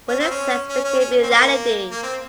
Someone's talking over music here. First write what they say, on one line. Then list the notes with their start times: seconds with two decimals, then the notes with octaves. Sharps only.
What they sensed became reality.
0.08 C#4
0.20 C4
0.31 C#4
0.69 C#4
0.84 C#4
0.99 C#4
1.23 C4
1.30 A#3
1.91 A#3
2.03 C4